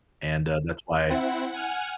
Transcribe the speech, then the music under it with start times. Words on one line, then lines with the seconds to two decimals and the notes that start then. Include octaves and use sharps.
and, uh, that's why
1.10 C4 E4 F#5
1.52 F#5 G#5 F6